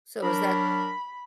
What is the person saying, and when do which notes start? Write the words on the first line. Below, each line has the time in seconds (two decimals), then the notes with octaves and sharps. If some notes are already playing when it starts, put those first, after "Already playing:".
So is that
0.23 F#3 D4 A#4 B5